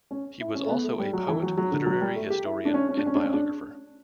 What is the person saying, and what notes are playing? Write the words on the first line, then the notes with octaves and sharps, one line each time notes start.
He was also a poet, literary historian and biographer.
C#4
E4
C#4
A3
B3
A3
G3
F#3
E3
F#3
F#3
D3
F#3
G3
A3
G4
E4
D4
C#4
C#4
D4
C#4
D4
C#4
D4